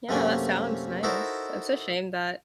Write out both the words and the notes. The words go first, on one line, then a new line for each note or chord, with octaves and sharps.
Yeah, that sounds nice. It's a shame that
F#2 C3 A3 A#3 C#4 G#5
D#4 E4 F#4 A4 A#4 C5